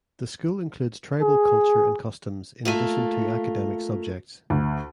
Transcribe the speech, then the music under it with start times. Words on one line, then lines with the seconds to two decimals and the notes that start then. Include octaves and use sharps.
The school includes tribal culture and customs in addition to academic subjects.
1.22 G#4
2.65 A3 A#3 F4
4.50 D2